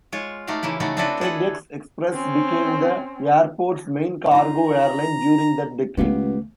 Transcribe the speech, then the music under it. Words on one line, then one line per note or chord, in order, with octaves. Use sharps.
FedEx Express became the airport's main cargo airline during that decade.
G#3 F4 C#5
A3 D#4 F#4 G4 F5
C#3 E3 A#3 E4
C#3 A3 B3 D#4 F#4
C4 D4 E4 F#4 A4 B4
G#4 A4 B4 F#5
C4 C#4
D#4 F4 A#5
C#2 D#3 A3 B3 G4 F5